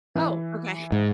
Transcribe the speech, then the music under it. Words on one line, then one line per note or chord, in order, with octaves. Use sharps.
Oh, okay.
E3
G#2